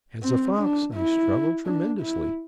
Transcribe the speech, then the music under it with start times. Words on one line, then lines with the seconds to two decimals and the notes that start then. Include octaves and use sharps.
As a fox, I struggled tremendously.
0.23 C4
0.59 D4
0.95 E4
1.65 D4
2.01 E4